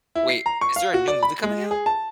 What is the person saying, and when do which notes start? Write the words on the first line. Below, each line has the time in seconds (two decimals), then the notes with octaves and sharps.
Wait. Is there a new movie coming out?
0.15 E4
0.29 C7
0.46 A#5
0.61 C#6
0.76 F5
0.94 F#4
1.08 D5
1.23 B5
1.43 G#3
1.71 G#4
1.86 A5